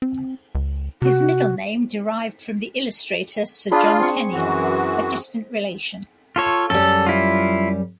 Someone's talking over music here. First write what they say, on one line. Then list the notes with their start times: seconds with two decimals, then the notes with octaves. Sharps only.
His middle name derived from the illustrator Sir John Tenniel, a distant relation.
0.02 C4
0.55 C#2
1.02 C3 F#4
3.71 D4 F4 G#4 B5
4.00 C4 C#6
4.33 F#2 E3 F#4
6.36 F4 A4 C#5
6.70 F#2 G3 A4
7.07 E4 F4